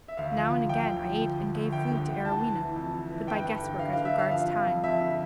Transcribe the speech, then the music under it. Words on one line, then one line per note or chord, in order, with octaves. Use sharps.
Now and again, I ate and gave food to Arowhena, but by guess-work as regards time.
E5
D2 F5
F3
D2
F3 G5
D2
F3
D2
F3
D2
D2 G5
D3
D2
E3 A5
E3
E3
F2
E3
E3
G2 G5
G2
D3
G2 F5
F5
D3
E5
G2 F5
F3 F5
F2
F2
F2 E5
D3